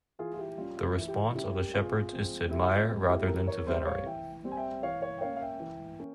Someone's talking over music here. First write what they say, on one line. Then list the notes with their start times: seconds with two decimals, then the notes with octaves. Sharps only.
The response of the shepherds is to admire rather than to venerate.
0.19 E3 F4 G#4
0.34 F4
0.38 E4 G4
0.58 G3 C#4 F4
0.77 F4
0.96 E3 E4
1.08 G4
1.16 F4
1.35 G3 C#4 E4 G4
1.54 G4 A#4
1.74 C3 F4 G#4
2.12 F3 G#3 C4
2.51 C3 E4 G4
2.70 F4
2.89 F3 G#3 C4
3.09 E4 G4
3.22 G#4
3.28 E3 G4 A#4
3.47 A#4 C#5
3.67 G3 C4 C5 E5
3.86 C#5 F5
4.06 E3 E5 G5
4.44 G3 C4
4.51 G#5
4.57 E5 G5
4.83 E3 C#5 F5
5.02 C#5 F5
5.18 G5
5.21 A#3 C#4 C#5 F5
5.36 F5
5.41 E5 G5
5.60 E3
5.99 A#3 C#4